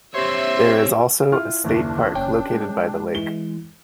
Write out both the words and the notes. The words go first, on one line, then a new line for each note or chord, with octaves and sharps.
There is also a state park located by the lake.
C4 G4 C5 C#5 E5 C6
E4 F4 F6
F#1 D#2 D4 E4
F#1 C#4 G5
G#3
E3 G7